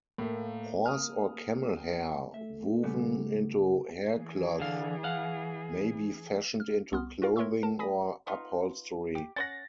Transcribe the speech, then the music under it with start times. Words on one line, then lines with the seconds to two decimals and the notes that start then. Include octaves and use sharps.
Horse or camel hair woven into haircloth may be fashioned into clothing or upholstery.
0.18 A2 A3 A#3
0.86 D#6 F6
2.34 A3 E5
2.83 C#3 G3 B3
4.15 E3 G#4
4.60 D3 F5
5.04 F5 F#5
6.60 F6
6.92 C2 B3 C6 D#6 F6
7.22 F4 F#4 A#4 F5
7.36 A#4 C#5 E5 C6 C#6 E6
7.63 A#4 A5
7.79 G#5 B5 D#6 A#6 B6
8.27 B3 D#4 F4
9.15 G4
9.36 C#4 C5 F#5 A6 A#6